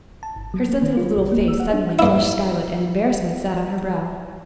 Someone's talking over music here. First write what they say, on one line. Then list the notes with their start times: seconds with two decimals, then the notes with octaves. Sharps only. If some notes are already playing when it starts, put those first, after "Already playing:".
Her sensitive little face suddenly flushed scarlet and embarrassment sat on her brow.
0.23 A5
0.36 G1
0.54 F#3
0.69 A#3
0.82 D#3
0.97 F4
1.16 B1
1.32 A#3
1.48 E6
1.60 F#5
1.73 D4
1.99 G2 E4